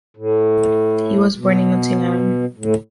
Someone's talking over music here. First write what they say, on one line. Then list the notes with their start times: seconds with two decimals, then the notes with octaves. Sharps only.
He was born in Nottingham.
0.17 A2
1.37 B2
2.58 A2